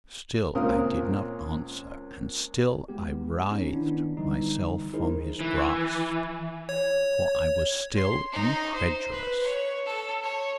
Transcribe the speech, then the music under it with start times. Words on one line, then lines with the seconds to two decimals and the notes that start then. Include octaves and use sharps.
Still I did not answer, and still I writhed myself from his grasp: for I was still incredulous.
0.55 C#2 A#2 C4 A#4 F5 D#6
2.88 G#3 B3 G4
3.51 C#4 D#4
3.71 D#3 B3 D4 E4
4.17 D3 E3 G3 D#4
4.93 D#4 E4 G#4 A#4 C5
5.41 E3
6.69 C#5
7.96 C6
8.31 D#4
8.74 C5
9.11 B4
9.43 C#5
9.86 A4
10.23 C#5